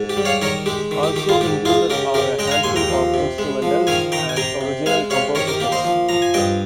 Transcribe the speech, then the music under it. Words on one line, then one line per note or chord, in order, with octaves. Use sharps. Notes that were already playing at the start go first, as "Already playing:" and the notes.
Also included are a handful of instrumentals and original compositions.
Already playing: G#2
G4
G3
C#5 F5
D#3 A#4 C#5
G#3 G4
D#3
G4
D#3 G4
F4 G#4
G#2 G4
D#4 F4 G#4
C#3 G4 A#4
C#3 G4 A#4
G#3 D#5 G5
A#5
F5 G#5
D#2 G#5 C6
G5 A#5
F3
C3
G#3
F3
D#3 F5 G#5
D#3 G5 A#5
G#5
C3 G5 A#5
C3
G#3 F5 G#5
C3 C#5 F5
D#3 A#4 C#5
G4 A#4
A#3 G4
C5 D#5
F3
F3 A#5
G#5
G2 D#5 G5